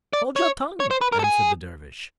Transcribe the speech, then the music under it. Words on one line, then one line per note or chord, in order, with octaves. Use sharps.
"Hold your tongue," answered the Dervish.
D5
C#5
C#5
C5
B4
A#4
A4
G#4